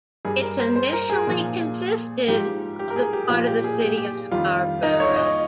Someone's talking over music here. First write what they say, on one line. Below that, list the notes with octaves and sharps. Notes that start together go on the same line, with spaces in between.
It initially consisted of the part of the City of Scarborough.
G2 G3 G#4
A#4
C5
C5
A#4
G#4
A#2 F3
G#2 F3 G4
G4
A#4
G#4
G4
A#2 F3 F4
G4
G#4
G4
G4
F2 D#3 G3 F4
D#4
C#5
D#5